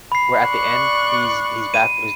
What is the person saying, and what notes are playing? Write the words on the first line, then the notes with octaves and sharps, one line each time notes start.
where at the end, he's he's back with his
B5 C7
D5 C#6 F#6
D#7